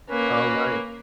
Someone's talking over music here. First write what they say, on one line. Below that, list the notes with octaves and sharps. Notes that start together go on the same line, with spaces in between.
Oh, right.
A#3 C#4 B4